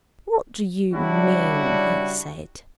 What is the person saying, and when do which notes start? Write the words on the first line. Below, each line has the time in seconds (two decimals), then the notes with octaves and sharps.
'What do you mean?' he said.
0.93 C#3 G3 D4 E4 F#4